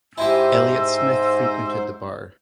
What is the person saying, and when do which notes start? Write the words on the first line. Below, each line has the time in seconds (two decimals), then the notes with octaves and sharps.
Elliott Smith frequented the bar.
0.18 G#2 E4 G4 C5 D#5 G#5 E6